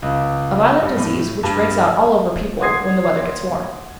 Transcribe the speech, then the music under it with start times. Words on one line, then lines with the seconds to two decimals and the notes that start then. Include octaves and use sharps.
A violent disease which breaks out all over people when the weather gets warm.
0.02 C#2
0.82 G2
0.97 A2
1.43 G2
2.60 F#5 C6 D#6 G#6 C7